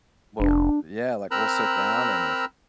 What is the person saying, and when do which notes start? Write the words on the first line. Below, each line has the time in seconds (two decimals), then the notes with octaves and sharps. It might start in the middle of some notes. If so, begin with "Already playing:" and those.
Well, yeah, like we'll sit down and if,
0.40 F1 D4
1.31 C4 A#4 A#5 B5 E6 F#6